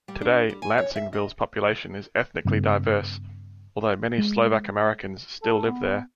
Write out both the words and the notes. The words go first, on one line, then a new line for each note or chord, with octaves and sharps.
Today, Lansingville's population is ethnically diverse, although many Slovak-Americans still live there.
G3
D4
G3
G#5
C#5
E5
D#5
G2 C#3 B3
G#3
A4
B3